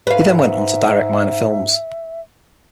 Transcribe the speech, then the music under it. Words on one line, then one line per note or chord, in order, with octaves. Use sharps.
He then went on to direct minor films.
G#2 B4 E5 F5